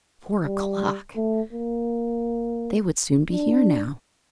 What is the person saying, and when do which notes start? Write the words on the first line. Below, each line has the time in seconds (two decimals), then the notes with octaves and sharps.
Four o'clock! they would soon be here now.
0.45 G3
1.16 A3
1.53 A#3
3.32 D4